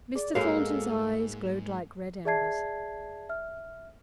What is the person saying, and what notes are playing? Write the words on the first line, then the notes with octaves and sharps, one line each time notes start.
Mr. Thornton's eyes glowed like red embers.
G#4 D5
G#2 G#3 A#3 F#4 G#4 A4 C#5 F5
G#4 D5 E5 A5 G#6 C7
E5 F6